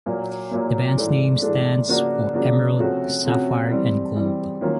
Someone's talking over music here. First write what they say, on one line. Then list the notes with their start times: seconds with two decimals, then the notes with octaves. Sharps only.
The band's name stands for emerald, sapphire, and gold.
0.06 A#2 F#3 A#3
0.51 A#2 F#3 A#3
0.97 G#2 E3 A3 D4
1.42 G#2 E3 A3 D4
1.88 C#3 F3 A#3 D4 F#4
2.33 C#3 F3 A#3 D4 F#4
2.79 C3 F3 A3 C#4 F#4
3.25 C3 F3 A3 C#4 F#4
3.70 E3 G3 C4
4.16 E3 G3 C4
4.61 D#3 F#3 A#3 C#4 F4